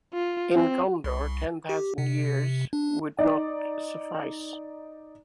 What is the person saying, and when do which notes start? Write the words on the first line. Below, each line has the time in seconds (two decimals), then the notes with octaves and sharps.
In Gondor ten thousand years would not suffice.
0.14 F4
0.55 C4
1.04 C2
1.69 G4
1.98 C3
2.73 D4
3.19 D#4 D5